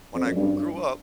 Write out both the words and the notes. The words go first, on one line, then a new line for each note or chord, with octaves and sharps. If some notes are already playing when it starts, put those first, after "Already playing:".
when I grew up,
F2
F#2
G2